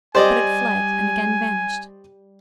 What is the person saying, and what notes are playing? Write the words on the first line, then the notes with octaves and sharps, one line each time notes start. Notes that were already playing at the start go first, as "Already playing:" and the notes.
But it fled, and again vanished.
G3 C5 D5 D#5 G#5